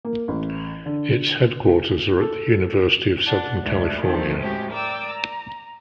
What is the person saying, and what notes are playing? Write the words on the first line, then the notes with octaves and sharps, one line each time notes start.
Its headquarters are at the University of Southern California.
A#3
A1
D3
A4
D4 F#5
D2 G#2
D#3 F3 A3 C4
A2 G#3 C4 C#4 F#4 G4
A#4 D5 G5 D6 E6
A#5